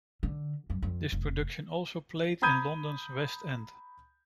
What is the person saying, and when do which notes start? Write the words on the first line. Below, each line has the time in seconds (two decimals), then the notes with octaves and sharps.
This production also played in London's West End.
0.23 D3
0.70 F#2
0.82 F2
1.12 F1
2.42 A#5 B5 D#6 G6 G#6 D#7